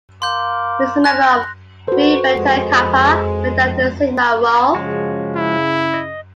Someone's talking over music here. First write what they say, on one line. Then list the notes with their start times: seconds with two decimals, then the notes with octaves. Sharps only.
He was a member of Phi Beta Kappa and Delta Sigma Rho.
0.22 A#4 F5 C6 D6 G6
1.04 F#6 A#6
1.87 F#4 A4 B4 C5
2.36 F2 G#3
4.75 C#3 F3 G#3 F#4
5.37 E4
5.94 D#5